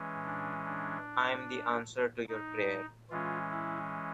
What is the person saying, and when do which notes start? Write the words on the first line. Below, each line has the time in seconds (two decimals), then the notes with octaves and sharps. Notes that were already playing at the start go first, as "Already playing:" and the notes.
I'm the answer to your prayer.
Already playing: E3 G#3 C#4
0.25 D4
0.65 D4
2.29 D#4
3.10 E3 G#3 C#4 F4
3.51 E4